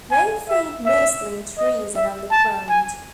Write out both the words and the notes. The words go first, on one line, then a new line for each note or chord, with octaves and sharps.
They feed mostly in trees and on the ground.
G#5
E5
E5
D#5
E5
A5
G#5